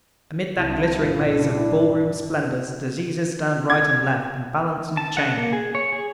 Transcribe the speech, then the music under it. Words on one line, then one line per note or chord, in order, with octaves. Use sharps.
Amid that glittering maze of ball-room splendors, diseases stand right and left, and balance and chain.
C2 E4 A5
G2 A#2 F3 E4
D4
G#6
A5
F#5
A#3
G#4
C#5
G#4